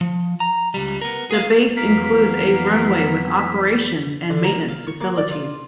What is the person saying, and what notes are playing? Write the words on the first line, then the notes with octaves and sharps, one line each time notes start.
The base includes a runway with operations and maintenance facilities.
F3
A#5
C#2 G3
B3 A#4
G#4 F5
F2 E3 F#3 A#3 B3 B6
D3
A#4
F5
C#6
A#3
D5
F4